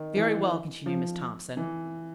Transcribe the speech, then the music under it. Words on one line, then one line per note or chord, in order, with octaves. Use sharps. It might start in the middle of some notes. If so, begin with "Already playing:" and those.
"Very well," continued Miss Thompson.
Already playing: D#3
E3
F3
E3